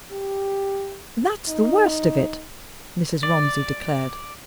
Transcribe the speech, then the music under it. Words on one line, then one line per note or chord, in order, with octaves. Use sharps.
"That's the worst of it!" Mrs. Romsey declared.
G4
D#4
D5